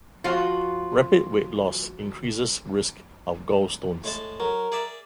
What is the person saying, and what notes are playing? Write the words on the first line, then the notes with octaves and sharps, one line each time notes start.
Rapid weight loss increases risk of gallstones.
F3 F4 F#4 F5
A2 G#3 A5
F#3 A#4
G#4 D5 E5